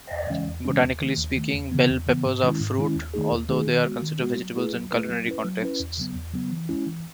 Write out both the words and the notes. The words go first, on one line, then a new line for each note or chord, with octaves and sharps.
Botanically speaking, bell peppers are fruit, although they are considered vegetables in culinary contexts.
E2
C#3 E3 G#3 C#4
E2
C#3 E3 G#3 C#4
D#2
D#3 A3
D#2
D#3 A3
E2
C#3 E3 B3
E2
C#3 E3 B3
G#2
D#3 G#3 C#4 E4
G#2
D#3 G#3 C#4 E4
D#2
D#3 A3 D#4 G#4
D#2
D#3 A3 D#4 G#4
D#3
G#3 B3 F#4
D#3
G#3 B3 F#4
F#3
A3 E4 G#4 B4
F#3
A3 E4 G#4 B4
F#3
C#4 E4 B4
F#3
C#4 E4 B4
E2
C#3 F#3 B3
E2
C#3 F#3 B3
E3
G#3 C#4 E4
E3